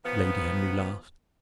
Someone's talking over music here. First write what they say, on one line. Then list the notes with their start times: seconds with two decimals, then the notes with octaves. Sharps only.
Lady Henry laughed.
0.05 D#3 F3 B3